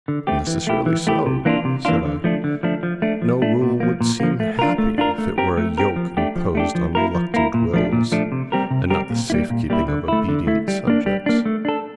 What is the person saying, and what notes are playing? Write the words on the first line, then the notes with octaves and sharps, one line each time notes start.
'Necessarily so,' said I; 'no rule would seem happy if it were a yoke imposed on reluctant wills, and not the safe-keeping of obedient subjects.'
D3
A3 C4 G4
E3
A3 E4 G4
E3
A3 E4 G4
C3
E3 A#3 D4 F4
C3
E3 A#3 D4 F4
D3
F3 A3 D4
D3
F3 A3 D4
F3
A3 D4
F3
A3 D4
A#2
F3 A#3
A#2
F3 A#3
A3
D4 F4 A#4
A3
D4 F4 A#4
A3
C4 G4 A#4
A3
C4 G4 A#4
F3
A3 D4 G4
F3
A3 D4 G4
F3
A#3 E4 A#4
F3
A#3 E4 A#4
A#2
F3 A3 D4
A#2
F3 A3 D4
C3
G3 C4 G4 A#4
C3
G3 C4 G4 A#4
A#2
G3 A#3 E4
A#2
G3 A#3 E4
D3
A3 E4
D3
A3 E4
G3
A#3 D4
G3
A#3 D4
A3
D4 A4